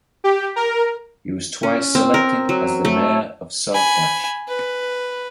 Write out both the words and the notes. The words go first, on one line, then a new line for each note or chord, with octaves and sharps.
He was twice selected as the Mayor of Saltash.
G4
A#4
C#4
C4
A#4
F#3
A3
G#5 B5
B4